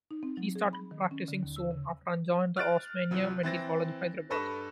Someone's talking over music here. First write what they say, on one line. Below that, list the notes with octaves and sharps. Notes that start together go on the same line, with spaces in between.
He started practising soon after and joined the "Osmania Medical College," Hyderabad.
D#4
C4
F#3
G#4
B5
D#3
C#4
D3
D#2
E6
C#3
F6 F#6 A6 D7
C2 F3 F#3
E3 C4 A6 A#6
G2 A4 B4 C#6 A#6 E7